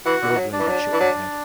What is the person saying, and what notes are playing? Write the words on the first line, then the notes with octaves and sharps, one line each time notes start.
The old lady shook her head.
E3 F#4 F#5
D3
E3
F#3
D4 D5
E3
F#3
E3
F#3